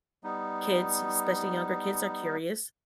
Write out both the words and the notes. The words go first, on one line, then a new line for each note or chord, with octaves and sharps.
kids, especially younger kids, are curious.
G3 B3 D#4